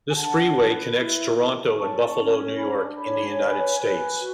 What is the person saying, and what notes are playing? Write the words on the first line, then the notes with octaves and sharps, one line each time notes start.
This freeway connects Toronto and Buffalo, New York, in the United States.
G#5
D4 F#5 A5
B4
E4
E4
C#4 A5 C#6
C#4
D4 G#5 B5
C#5 G#5 B5
B4
B4
F#4